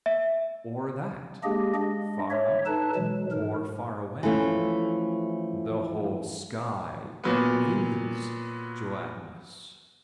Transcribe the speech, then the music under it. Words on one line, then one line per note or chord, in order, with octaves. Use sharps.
Or that, far up, or far away, the whole sky is gelatinous?
E5
G#3 A#3 D4 G4 G#4 D#5
G#3 D4 D#5
C#5 E5
D#4 A4 B4 A5
B2 E3 F#3 G#3
G#2 A#4
E3 F3 A3 C#4
A#2 F#3 B3